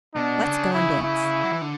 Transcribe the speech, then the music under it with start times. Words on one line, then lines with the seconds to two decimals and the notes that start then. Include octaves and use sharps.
Let's go and dance.
0.15 B2 D4
0.45 C#3
0.74 E4
1.03 E4
1.43 F#3
1.52 E3
1.62 D3